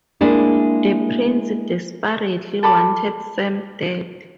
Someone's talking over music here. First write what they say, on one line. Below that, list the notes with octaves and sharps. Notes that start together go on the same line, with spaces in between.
The prince desperately wanted Sam dead.
G#3 A#3 D4 E4
A4 B5 D6